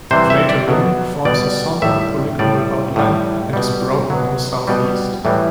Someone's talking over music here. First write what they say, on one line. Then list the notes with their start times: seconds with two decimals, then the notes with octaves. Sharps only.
The crater rim forms a somewhat polygonal outline, and is broken in the southeast.
0.11 C3 E3 G3 C5
0.30 E5
0.49 D5
0.68 B2 F#3
1.25 B2 G3 D5
1.82 A2 G3 E5
2.39 A2 G3 D5
2.96 A2 G3
3.53 B2 G3
4.10 B2 F#3
4.68 B2 G3
5.25 A2 E3 G3